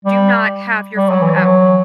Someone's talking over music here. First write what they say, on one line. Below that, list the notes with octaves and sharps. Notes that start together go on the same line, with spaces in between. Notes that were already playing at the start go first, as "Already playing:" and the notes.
do not have your phone out."
G3
G3
F#3
E3
F#3